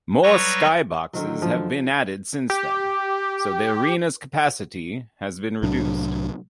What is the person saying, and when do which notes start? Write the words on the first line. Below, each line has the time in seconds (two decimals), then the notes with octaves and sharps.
More skyboxes have been added since then, so the arena's capacity has been reduced.
0.23 F#3 G3 B4 C#5 C#6 A#6
1.13 D3 D#3 F#3
1.42 F3
2.50 G4
5.62 C2 A2 F#3 D4